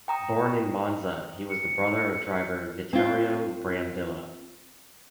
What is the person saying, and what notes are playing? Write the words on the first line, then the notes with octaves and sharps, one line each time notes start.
Born in Monza, he was the brother of driver Vittorio Brambilla.
G5 A#5 D#6
C#7
C4 F4